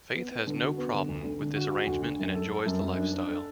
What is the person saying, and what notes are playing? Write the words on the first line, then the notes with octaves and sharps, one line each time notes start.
Faith has no problem with this arrangement and enjoys the lifestyle.
B3
B3
D3
F#4
B3
D3
D2
D3
D3
F#4
F#4
D2
D4
F#2
A4
A4
F#2
F#2
D4
D4
A4